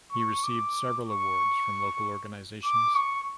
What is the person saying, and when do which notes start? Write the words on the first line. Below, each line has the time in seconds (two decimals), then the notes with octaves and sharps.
He received several awards from local organizations.
0.13 C#6
0.44 D6
1.07 C#6
2.65 D6
2.96 C#6